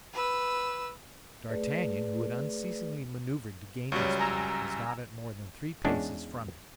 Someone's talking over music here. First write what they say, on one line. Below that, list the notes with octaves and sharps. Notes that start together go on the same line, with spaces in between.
D'Artagnan, who had unceasingly maneuvered to gain this point, was not at more than three paces from it.
B4 E6
A3 G#4 B4 D5
C#2 F#3 G3 C#5
G#5 A#5 E6
E2 G#3 C#4 D4